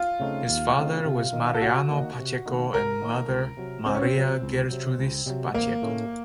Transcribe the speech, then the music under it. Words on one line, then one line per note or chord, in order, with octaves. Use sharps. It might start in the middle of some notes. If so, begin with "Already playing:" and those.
His father was Mariano Pacheco and mother Maria Gertrudis Pacheco.
Already playing: F4
C#3 A3 C4 D#4
D#2
C#3 A3 C4 D#4
C3
D#3 A#3 D#4
A4
C3 F#4
D#3 A#3 D#4
C3
D#3 A#3 D#4
C3 A#4
D#3 A#3 D#4
C#2
C3 F#3
C#2 C4
C#4
C4
C3 F#3
C#2
C3 F#3
C#2
C3 F#3
A1 A#3
A2 A3 C#4